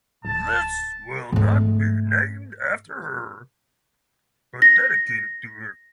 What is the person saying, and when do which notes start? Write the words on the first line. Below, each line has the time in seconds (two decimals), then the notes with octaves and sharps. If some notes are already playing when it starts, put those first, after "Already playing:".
This will not be named after her, but dedicated to her.
0.25 D1 A5
1.32 G#2 A3
4.62 A#6